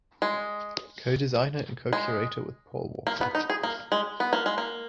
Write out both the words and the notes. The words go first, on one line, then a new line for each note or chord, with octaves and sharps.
Co-designer and co-curator with Paul Walker.
G#3
G#3
A#3
B3
D#4
G#4
A#3
G#3
B3
A#3
G#3
A#3